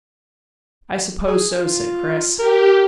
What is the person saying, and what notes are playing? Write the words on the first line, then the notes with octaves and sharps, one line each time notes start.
"I suppose so," said Chris.
G#4
F4
G4 A#4